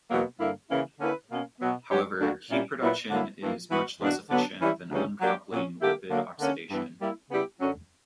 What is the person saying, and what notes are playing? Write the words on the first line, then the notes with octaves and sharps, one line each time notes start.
However, heat production is much less efficient than uncoupling lipid oxidation.
E2 B2 F#3 A#3
G2 D3 A#3 E4
C#3 E3 A#3 C#4 E4
D3 A#3 C#4 E4 B4
B2 A#3 C#4
B2 F#3 B3
F#3 C#4 G4
D2 D3 A#3 D4 F#4
A#2 G3 A#3 C#4 E4
A#2 F#3 B3 E4 B4
D3 F#3 A#3 E4
G2 E3 A#3
E3 B3 F#4 B4
E2 B2 A#3 D4 F#4
D3 F#3 B3 D4
E3 G3 C#4 E4
D2 C#3 E3 G3 C#4
F#3 A#3 D4 G4
A#2 F#3 C#4
D3 A#3 E4 G4
D3 F#3 A#3
D3 A#3 C#4
G2 E3 B3
G3 A#3 E4
C#3 G3 B3 E4 G4
F#2 D3 F#3 C#4